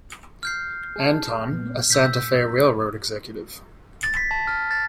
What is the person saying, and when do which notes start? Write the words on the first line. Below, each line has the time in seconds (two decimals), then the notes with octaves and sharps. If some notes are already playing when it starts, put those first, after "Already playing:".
Anton, a Santa Fe railroad executive.
0.43 F6 G6 C7
0.96 G#4 A5
1.52 A#2 B3
1.90 A#2 E6 G6 B6
4.03 A6
4.17 B6
4.31 A5
4.47 F6
4.71 A6